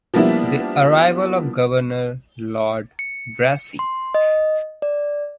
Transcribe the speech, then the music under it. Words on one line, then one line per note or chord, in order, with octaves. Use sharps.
The arrival of the Governor Lord Brassey.
F3 G3 A#3 B3 D4 E4
C#7
C6
D#5
D5